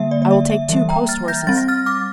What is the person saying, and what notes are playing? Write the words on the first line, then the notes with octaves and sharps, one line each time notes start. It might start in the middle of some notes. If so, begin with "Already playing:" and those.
"I will take two post-horses."
Already playing: D3 G3 A#3 E5
D5
D5
E5
E5
E3 G3 A#3 E5
G5 A#5
F6 A6
G6 A#6
G3 C4 A6
A#6
F6 A6
D6 F6